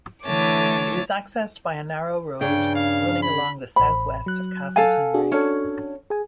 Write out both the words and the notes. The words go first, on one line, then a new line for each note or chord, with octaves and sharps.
It is accessed by a narrow road running along the southwest of Castleton Rig.
D3 E3 A3 C#5 A5 D6
G2 C#3 D4 G5
F5
B5
A1 C5 B5
F#3 F#6
A4 F5 G#5
D4 F#4 G#4
C#4 D4 F#4 A4 C#5
G#4 G#5